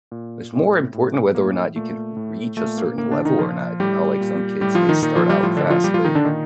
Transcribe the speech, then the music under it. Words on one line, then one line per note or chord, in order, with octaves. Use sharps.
it's more important whether or not you can reach a certain level or not, you know, like some kids may start out fast, but,
A#2
A2
A2
A2 A#3
A#2 A3
A2
A#2 A3
A#3
A2 A#3
D3 D4
D#3 D#4
A#2 F3 F4
A2 G3 G4
A#2
A2 G3 G4
F3 F4
D#3 D#4
A#2 D#3 D#4
F3 F4
G3 G4
A2 F3 F4
D3 D4
F3 F4
A#2 G3 G4
F3 F4
D#3 D#4
D3 D4
A#2 D#3 D#4